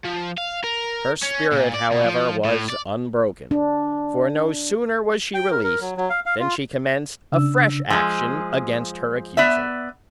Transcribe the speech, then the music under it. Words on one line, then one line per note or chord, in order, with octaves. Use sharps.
Her spirit, however, was unbroken, for no sooner was she released than she commenced a fresh action against her accuser.
F3
F5
A#4
C#4
A#2
D5
B2
F3
A2
D5
D4
G5
A#4
A#4
F#3
F#3
F5
F5
F4
C#3 D4 E6
F3 G#3 G#5 C6 E6
B3 D5 E5